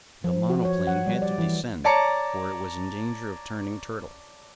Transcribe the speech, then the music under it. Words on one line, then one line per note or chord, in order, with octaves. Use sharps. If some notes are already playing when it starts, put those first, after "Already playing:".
The monoplane had to descend, for it was in danger of turning turtle.
F3
F#4
C#5
F#5
G3
D5
E3
C#5 D5 A5 A#5 C#7